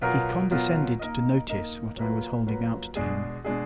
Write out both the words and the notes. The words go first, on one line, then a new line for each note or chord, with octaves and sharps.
He condescended to notice what I was holding out to him.
B2 F#3 B3 F4 A#4
B2 F#3 B3 F4 A#4
A#3 D#4 A#4 D#5
A#3 D#4 A#4 D#5
F#3 A#3 F4 B4
F#3 A#3 F4 B4
B2 G#3 D4 G#4
B2 G#3 D4 G#4